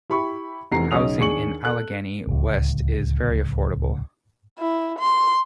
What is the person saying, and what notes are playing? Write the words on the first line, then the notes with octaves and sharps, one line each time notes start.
Housing in Allegheny West is very affordable.
E4 G4 B5 C#6
F1 E2 C3 A#5 C7
B1 C#3 D#4 C#5 D#6 F7
D#2 D4 G#4 C#6 C#7 F#7
A4 F#6
D1 C#2
E4
C6